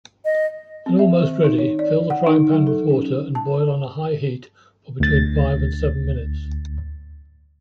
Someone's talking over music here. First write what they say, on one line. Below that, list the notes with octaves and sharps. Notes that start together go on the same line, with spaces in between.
When almost ready, fill the frying pan with water and boil on a high heat for between five and seven minutes.
D#5
C4
E5
D#3
D#4
C#5
D5
F#5
D#4
F#3
A4
C#4
A5
D2 A6